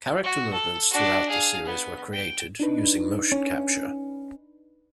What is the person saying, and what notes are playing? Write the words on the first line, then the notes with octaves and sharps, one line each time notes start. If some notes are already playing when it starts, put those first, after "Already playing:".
Character movements throughout the series were created using motion capture.
F#4 C#6
A4
D4 F#4
G#4 F5
B3
G5
D4 D#4 B4
C#4